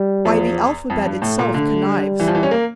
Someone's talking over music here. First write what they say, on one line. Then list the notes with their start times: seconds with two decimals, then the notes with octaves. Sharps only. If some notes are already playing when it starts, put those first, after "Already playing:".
Why, the alphabet itself connives.
Already playing: G3
0.25 E2 F3
0.90 F2
1.06 G2
1.22 A2 A3
1.39 A#2
1.54 D3
1.87 G3
2.20 E3
2.28 F3
2.35 E3
2.43 C#4
2.51 A#3